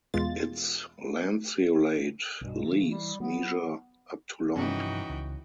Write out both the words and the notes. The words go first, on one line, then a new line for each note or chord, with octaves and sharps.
Its lanceolate leaves measure up to long.
E2 B2 G#3 F4 A6
B1 G2 B2
C#3 E3
G3
F#3 B3
G2 C3 E3 F3 C#4 D#4 F#4 G5
C#2